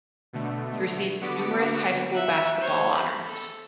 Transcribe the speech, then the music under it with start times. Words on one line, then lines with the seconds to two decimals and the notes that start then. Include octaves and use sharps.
He received numerous high school basketball honors.
0.33 B2 D3 A3
1.21 D3 B3 F#4 D6 B6 C#7
2.14 E5 F#5
2.60 C5 C#5
2.93 B5
3.25 A4